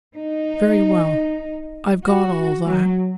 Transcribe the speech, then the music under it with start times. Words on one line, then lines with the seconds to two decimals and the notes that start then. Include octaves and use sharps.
Very well--I've got all that.
0.16 D#4
2.04 F#4
2.67 F#3